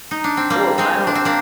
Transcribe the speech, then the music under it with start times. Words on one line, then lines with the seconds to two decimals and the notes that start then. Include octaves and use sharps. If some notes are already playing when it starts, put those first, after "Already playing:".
Well, I don't
Already playing: F4
0.11 D#4
0.24 D4
0.37 C4
0.50 G3 A#3
0.78 G#3 C4
1.07 D4
1.15 C4
1.25 A#3 D4